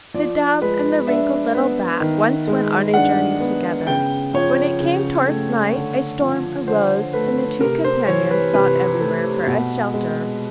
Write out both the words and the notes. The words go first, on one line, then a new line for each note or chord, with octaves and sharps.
The Dove and the wrinkled little Bat once went on a journey together. When it came towards night a storm arose, and the two companions sought everywhere for a shelter.
F3 D5
G#3 B4
D4 E5
B3
D#3
G#3
D4 F#5
B3
C#3 G5
F3 C#5
C#3
A3
D3
F3
D3 C5
A3 B4
C3 A#4
C5
E3 C#5
B4
C3 B4
A3
B2
G#3